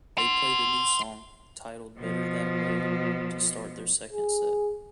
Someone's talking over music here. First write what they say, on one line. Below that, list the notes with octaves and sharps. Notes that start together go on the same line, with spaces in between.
They played a new song, titled "Better That Way", to start their second set.
F#5 C6
B2 F3
G#4